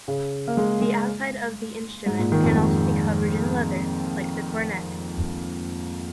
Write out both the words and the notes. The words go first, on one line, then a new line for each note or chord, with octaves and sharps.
The outside of the instrument can also be covered in leather, like the cornett.
C#3
A#3
G#3
G#3
G#2
A#2
D#3
F2
G#2